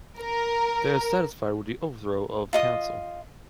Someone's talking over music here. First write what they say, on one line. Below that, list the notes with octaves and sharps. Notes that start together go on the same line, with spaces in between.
They are satisfied with the overthrow of the Council.
A#4
F4 D#5 D#6